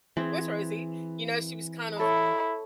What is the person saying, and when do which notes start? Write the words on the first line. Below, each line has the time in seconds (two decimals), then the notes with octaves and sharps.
Where's Rosie?" You know, she was kind of,
0.17 E3 C4 G#4
1.99 E4 A4 C#5